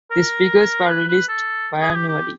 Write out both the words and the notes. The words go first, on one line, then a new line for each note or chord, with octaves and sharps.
These figures were released biannually.
A#4
B4
B4
A4
G#4
G4
G4